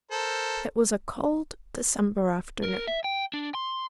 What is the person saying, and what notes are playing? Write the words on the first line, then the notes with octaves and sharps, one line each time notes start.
It was a cold December afternoon.
A4 A#4 C5
A#4
E5
G5
D4
C6